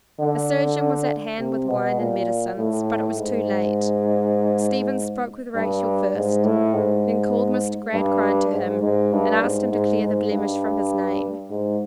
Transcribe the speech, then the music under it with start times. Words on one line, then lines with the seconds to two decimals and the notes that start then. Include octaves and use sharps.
A surgeon was at hand with wine and medicines, but it was too late. Stephen spoke with Rachel first, then called Mr. Gradgrind to him and asked him to clear the blemish from his name.
0.20 D3
1.39 C3
1.69 B2
1.98 A#2
2.58 A2
3.18 G#2
5.55 G2
6.15 G#2
6.44 A2
6.74 G#2
7.94 G2
8.52 G#2
8.83 G#2
9.12 G2
9.42 G#2
9.72 G#2
10.01 G#2
10.31 G2
11.50 G#2